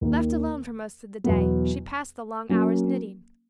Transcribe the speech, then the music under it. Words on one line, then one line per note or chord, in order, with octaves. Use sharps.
Left alone for most of the day, she passed the long hours knitting.
D#2 D#3 A#3
E2 B2 F#3 B3
F#3 A#3 C#4